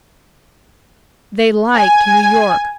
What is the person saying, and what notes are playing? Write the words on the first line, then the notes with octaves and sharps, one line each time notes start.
They liked New York.
G#5